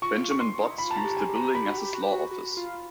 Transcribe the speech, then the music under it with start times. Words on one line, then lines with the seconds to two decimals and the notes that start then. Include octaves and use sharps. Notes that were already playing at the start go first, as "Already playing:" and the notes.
Benjamin Botts used the building as his law office.
0.02 F4 C#6
0.31 C#6
0.40 C6
0.61 D#4
0.70 E4
0.78 F4 B5
0.91 A5
0.97 A#5
1.05 G4
1.17 G#5
1.29 G4
1.36 A#5
1.55 G4 B5
1.66 F#4
1.77 G4
1.94 F#4
2.02 G4
2.12 F#4
2.31 F#4
2.57 F4